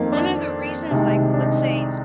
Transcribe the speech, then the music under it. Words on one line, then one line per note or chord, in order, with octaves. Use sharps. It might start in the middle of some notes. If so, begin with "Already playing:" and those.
one of the reasons, like, let's say
Already playing: F2 D#3 A#3 D#4
D4
C2 C3 D#3 G#3
D4
D#4